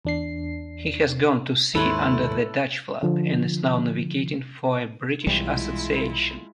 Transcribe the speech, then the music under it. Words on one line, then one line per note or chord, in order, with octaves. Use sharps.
He has gone to sea under the Dutch flag and is now navigating for a British Association.
E2 D4 C7
D#2 G#2 E4 A4 B4 C#5 C6
D3 F3
B1 E3 G3 G#3 E4 F4